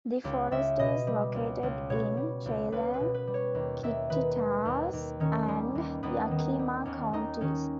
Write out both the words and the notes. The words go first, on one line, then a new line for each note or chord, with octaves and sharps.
The forest is located in Chelan, Kittitas and Yakima counties.
C#2 G4
C#2 E5
B2 D#5
G3
C#2
C#2
B2 C#5
G3
C#2
C#2 B4
B4
B2
B4
G3
C#5
D#2
D#2 E5
D#3 B4
G3
D#2
D#2
D#3 C#4
G3
D#2
D#2 B3
D#3
G3
D#2 C#4
D#2 D#4
D#3 C#4